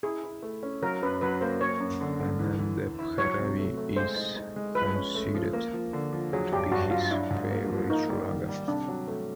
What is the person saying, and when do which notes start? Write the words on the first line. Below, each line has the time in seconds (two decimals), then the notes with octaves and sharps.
Anandabhairavi is considered to be his favourite raga.
0.03 E4 G#4
0.24 E4
0.42 A3
0.63 C#4
0.82 F#3 A#4
1.03 F#2 B4
1.21 F#3 B4
1.41 A#3 C5
1.61 A#3 C#5
1.80 F#2
2.01 D3
2.19 D3
2.39 E3
2.59 E3
2.79 E3
2.99 E4
3.18 F#3 C#5
3.38 C3
3.58 A3
3.77 A3
3.96 G#3 C5
4.16 D#4
4.37 D#4
4.56 G#3
4.75 F3 B4
4.96 C#4
5.15 A3
5.35 F3
5.53 A#3
5.73 F3
5.93 D3
6.13 F3
6.33 F#3 G#4
6.52 G2 G4
6.72 G2 F#4
6.91 F#3 F4
7.11 D4 E4
7.30 G#2
7.51 A#3
7.70 F3
7.90 A#3 D#4
8.09 G3
8.28 D#3
8.49 G3
8.68 C3 D4
8.88 F#3
9.08 A3